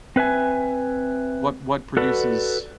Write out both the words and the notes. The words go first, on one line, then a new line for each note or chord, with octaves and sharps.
what what produces
C4 B4 E5 G#5
F#4 A4 B4 D5